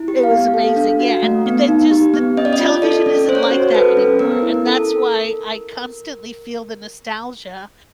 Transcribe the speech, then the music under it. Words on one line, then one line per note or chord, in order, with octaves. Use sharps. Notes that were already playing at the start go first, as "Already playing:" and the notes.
it was amazing, yeah, and th just the television isn't like that anymore, and that's why I constantly feel the nostalgia
Already playing: E4
G4
F5
B3
A4
D4
F#4
A3
B3
D#4
G4
B3
C#4 D#5
D5
D#5
F4
A4 D5
C#4
C#4 C5
C#5
C5
F#4
A4 B4
C#4
B3 A#4
E4
A4